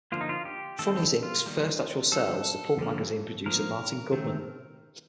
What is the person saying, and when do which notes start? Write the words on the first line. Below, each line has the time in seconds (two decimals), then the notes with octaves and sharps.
Funnies, Inc.'s first actual sale was to pulp magazine publisher Martin Goodman.
0.12 D3 F3 A#3 F4
0.21 D#4
0.29 F4
0.45 G4
0.79 D#3 A3 C4 A4
1.23 F4
1.46 D#3 G3 A#3
2.12 D3 G3 C4 A4
2.79 D3 F3 A#3
3.46 F3 A#3 A#4
4.12 D#3 A3 C4